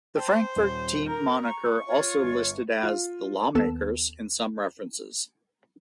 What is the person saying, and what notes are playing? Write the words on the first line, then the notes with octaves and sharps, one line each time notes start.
The Frankfort team moniker also listed as the "Lawmakers" in some references.
C5 G5 A5
D#1
A#4 A#5 G6
C#6
F4 C#5
G1
F4
D#2 B3 A4 E7